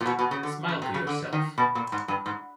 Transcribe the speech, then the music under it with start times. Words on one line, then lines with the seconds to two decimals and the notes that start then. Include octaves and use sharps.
Smile to yourself.
0.01 A#2
0.06 B2
0.19 B2
0.31 C#3
0.43 D3
0.68 C#3
0.82 C3
0.94 C#3
1.07 D3
1.33 D#3
1.58 B2
1.75 A#2
1.92 G#2
2.08 G2
2.26 G#2